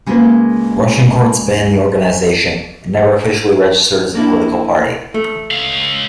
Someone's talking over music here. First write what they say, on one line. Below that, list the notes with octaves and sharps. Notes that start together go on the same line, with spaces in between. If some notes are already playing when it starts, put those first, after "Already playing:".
Russian courts banned the organization: it never officially registered as a political party.
C#3 G#3 A#3 F4 B4
A#3 D4 E4
A3
C#2 F5